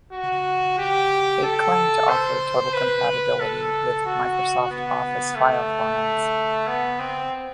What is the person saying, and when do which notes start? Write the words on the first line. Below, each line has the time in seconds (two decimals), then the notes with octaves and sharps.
It claimed to offer total compatibility with Microsoft Office file formats.
0.12 F#4
0.78 G4
1.43 A4
2.08 C5
2.74 B4
3.40 A4
4.06 F#4
4.71 B3
5.36 A3
6.67 B3
6.99 C4